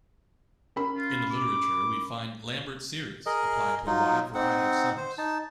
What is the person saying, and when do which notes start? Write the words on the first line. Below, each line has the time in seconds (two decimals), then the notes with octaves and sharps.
In the literature we find "Lambert series" applied to a wide variety of sums.
0.76 C#4 A#4 B5
0.96 F4
1.31 D6
3.26 G#4 A#4 D#5
3.87 F#3 D#4 F4
4.34 C4 D#4 F#5
4.97 C5
5.18 D#4 A5